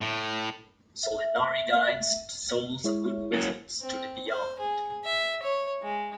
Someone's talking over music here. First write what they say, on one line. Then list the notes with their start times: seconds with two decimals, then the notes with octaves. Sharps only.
Solinari guides the souls of good wizards to the Beyond.
0.01 A2
1.03 E5
2.84 G#3 E4 C#5
3.33 F#3 A#3 C#4
3.82 C4
4.28 C5
4.59 G#4
5.05 E5
5.43 C#5
5.82 G#3